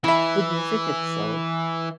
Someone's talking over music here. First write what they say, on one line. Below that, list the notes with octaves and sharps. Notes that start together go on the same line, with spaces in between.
with music itself,
E3 E4 E5